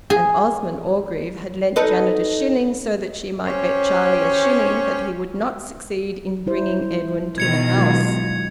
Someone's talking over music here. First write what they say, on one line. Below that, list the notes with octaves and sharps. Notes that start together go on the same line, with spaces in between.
And Osmond Orgreave had lent Janet a shilling so that she might bet Charlie a shilling that he would not succeed in bringing Edwin to the house.
G#4
D#4 A4 B4
C#4 G4 C5 C#5
G3 E4 C5
B2 D#3 G#6 C#7 F7
F#3 G#3 F4